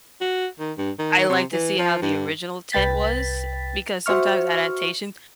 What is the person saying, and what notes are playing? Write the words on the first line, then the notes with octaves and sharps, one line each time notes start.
I like to see how the original tent was, eh, because sometimes adaptation
F#4
D#3
G2
D#3
C3
E3
F3
G2
C2 B4 G5 A6 B6
F#4 C5 E5 C#6 F6